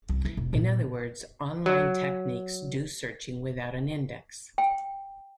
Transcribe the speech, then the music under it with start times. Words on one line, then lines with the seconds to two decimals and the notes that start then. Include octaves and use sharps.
In other words, on-line techniques do searching without an index.
0.09 C2
0.25 E3
0.37 E1
0.53 A#2 B3
1.66 F#3
4.58 G5